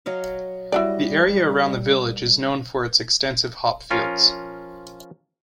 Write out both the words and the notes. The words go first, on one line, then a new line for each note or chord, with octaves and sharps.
The area around the village is known for its extensive hop fields.
F#3 D#5 F5
G3 E4 F#4 D5 D#5
F3 C#4 F4 A#4